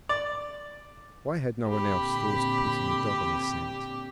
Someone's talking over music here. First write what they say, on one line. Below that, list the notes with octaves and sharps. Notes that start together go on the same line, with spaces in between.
Why had no one else thought of putting the dog on the scent?
D5
A#2 D3 C4 G4 B5